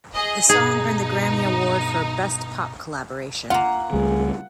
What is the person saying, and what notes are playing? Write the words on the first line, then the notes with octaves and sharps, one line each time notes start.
The song earned the Grammy Award for "Best Pop Collaboration".
G#4 D#5
G2 B2 D#4 G#4
A#3 F4 F#5
C#2 G3 A3 G#4